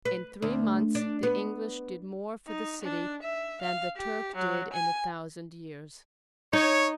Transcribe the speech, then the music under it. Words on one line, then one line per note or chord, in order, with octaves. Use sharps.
In three months the English did more for the city than the Turk did in a thousand years.
B4
D2
D4
B3
D#4
D4
E5
F5
G4
F#3
G#5
D#4 C#5